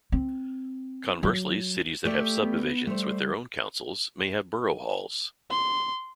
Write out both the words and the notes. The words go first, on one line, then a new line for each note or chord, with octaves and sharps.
Conversely, cities that have subdivisions with their own councils may have borough halls.
C4
F#3
A3 G4 D5
B3
G3 A3 C5
C6